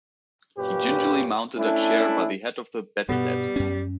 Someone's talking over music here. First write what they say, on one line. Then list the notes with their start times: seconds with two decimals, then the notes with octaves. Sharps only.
He gingerly mounted a chair by the head of the bedstead.
0.58 F#2 A#2 C#4 G4 B4
1.57 A3 C#4 D4 E4
3.09 G2 B2 G3 B3
3.56 F#2 C#4